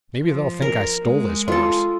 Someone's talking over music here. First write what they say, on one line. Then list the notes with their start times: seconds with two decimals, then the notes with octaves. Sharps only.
'Maybe they'll think I stole this horse.
0.21 F3
0.62 A#4
1.02 G#3
1.48 F4 A4